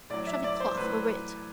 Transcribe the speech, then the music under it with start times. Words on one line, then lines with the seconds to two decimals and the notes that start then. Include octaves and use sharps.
Shove a cloth over it!
0.10 A2 F#3 D5
0.27 E5
0.44 D5
0.60 C5
0.77 A2 F#3 B4